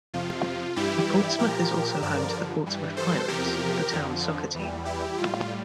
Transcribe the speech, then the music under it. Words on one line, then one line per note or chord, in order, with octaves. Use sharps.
Portsmouth is also home to the Portsmouth Pirates, the town's soccer team.
F2 C3 F3 F4
G2 E3 G3 E4 G4
A#2 F3 G4 A#4
G2 D3 F3 A#4 D5
G2 E3 G3
A4 C5
E2 C3 F3 G4 A#4
F2 D3 F3
E2 E3 G3
E4 G4
A2 G3 F4